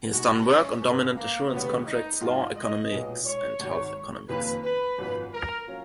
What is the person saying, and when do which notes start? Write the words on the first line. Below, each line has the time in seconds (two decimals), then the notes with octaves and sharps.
He has done work on dominant assurance contracts, law and economics and health economics.
0.13 B2 G#3 D#4 F#4
0.47 C#4
0.82 G#1 F#2 C#3 B3
1.17 A#3
1.51 F1 D#2 C#3 F#3 B3 C#4
1.86 D#4
2.21 G#2 F3 G#3 D#4 F4 F#4
2.56 D#5
2.90 B1 A#2 G#3 B3
3.26 C#5
3.59 G#1 G#2 D#3 F#3
4.29 F#1 F2 D#3 A#3 C#4 B4
4.64 B4
4.98 G#1 F#2 F3 B3
5.33 A#4
5.67 F#3 C#4 F4